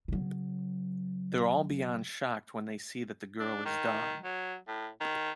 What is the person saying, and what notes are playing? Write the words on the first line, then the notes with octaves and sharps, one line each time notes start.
They're all beyond shocked when they see that the girl is Dawn.
C#3 F#3
D4
D#3
F#3
A2
D#3